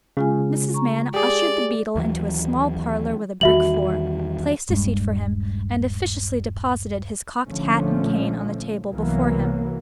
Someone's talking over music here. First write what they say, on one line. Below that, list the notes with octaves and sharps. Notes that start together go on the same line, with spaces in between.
Mrs. Mann ushered the beadle into a small parlour with a brick floor; placed a seat for him; and officiously deposited his cocked hat and cane on the table before him.
C#3 G#3 F4 G#5
A#5 C#6
G4 G#4 D5
D#2 E3 F#3
E2 D#3 G3 F#4 E5 F#7
D#1 G2 G3 G#3
A#1 D3 F3 A3 C#4
C2 E3 F#3 A#3 B3